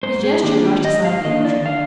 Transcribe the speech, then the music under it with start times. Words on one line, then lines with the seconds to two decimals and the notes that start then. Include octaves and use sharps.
His gesture brushed aside the allusion.
0.03 G#2 C5
0.23 G#4
0.43 D#3 A#3 D4 G4
0.57 F4
0.65 G4
0.84 G#2 D#5
1.05 F5
1.25 D#3 A#3 D4 D#5
1.45 D5
1.65 D3 F5